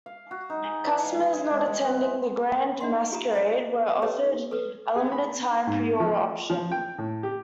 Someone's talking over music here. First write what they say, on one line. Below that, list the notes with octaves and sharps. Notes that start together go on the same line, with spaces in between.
Customers not attending The Grand Masquerade were offered a limited time preorder option.
F5
F#4
D#4
G#4
E3
F5
E3
G#4
G#3
G3
B3
E4
D4 D#4 D#5 E5 F#5 C6
F4 G4 A#5 B5 D#6
C5 C#5 D#5
G4 A4 B4 C#5 D#5 G5
A4 B4
G#4
B5
G#2
F3
F3
G5
A2
G4